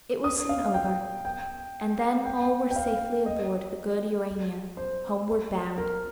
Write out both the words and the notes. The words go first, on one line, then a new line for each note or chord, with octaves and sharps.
It was soon over; and then all were safely aboard the good Urania, homeward bound.
D#6
F5
G5
G5
G5
G5
F5
D#5
C5
A#4